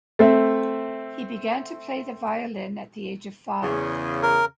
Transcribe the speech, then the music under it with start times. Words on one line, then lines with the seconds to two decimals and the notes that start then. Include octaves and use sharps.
He began to play the violin at the age of five.
0.19 A3 C4 E5
3.62 E2 C#3
4.23 A#4